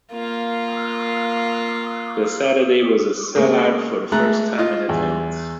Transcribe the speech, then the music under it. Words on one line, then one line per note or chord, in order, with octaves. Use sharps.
The Saturday was a sell out for the first time in advance.
A#3 F4
C#3 G#3 A#3
G#3 A3 A#5 F#6
F4 D#5
E2